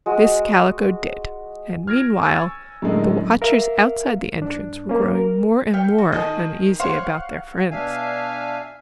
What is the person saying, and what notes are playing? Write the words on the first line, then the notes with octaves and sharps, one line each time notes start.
This Kaliko did, and meanwhile the watchers outside the entrance were growing more and more uneasy about their friends.
G#3 F#4
F6 G#6 A#6 D7
G#5 C#6 E6 G#6 A6
F#2 A2 D3 G#3 D#5
A#4 E5 F5
G2 D4
A#3 C#4
A#4
E5 F5 G5 C#7
F#4
D#3 G#3 A4 D#5 G#5
C5 C#5 F5 F#5 C#6
B2 D4 E5 F5 G#5